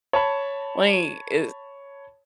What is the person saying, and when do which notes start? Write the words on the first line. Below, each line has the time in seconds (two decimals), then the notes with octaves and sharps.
Wait, is
0.13 C#5 A5 B5